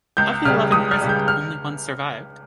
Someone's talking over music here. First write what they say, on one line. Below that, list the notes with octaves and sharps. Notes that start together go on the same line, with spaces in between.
Of the eleven present, only one survived.
C#2 G6
C#3 G3 F6
C#2 D#6
F6
C#3 G3
G6
F6